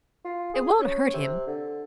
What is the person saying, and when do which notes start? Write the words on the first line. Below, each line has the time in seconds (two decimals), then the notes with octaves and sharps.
"It won't hurt him."
0.25 F4
0.54 G#4
0.79 C#4
1.14 C3
1.47 D3